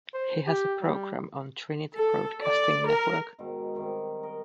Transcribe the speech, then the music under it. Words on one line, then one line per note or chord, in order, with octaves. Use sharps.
He has a program on Trinity Broadcasting Network.
C5
G4
G3
A4
D5
A#4
G#2 B2 D#3
C3 D#3 G3
A#4 D#5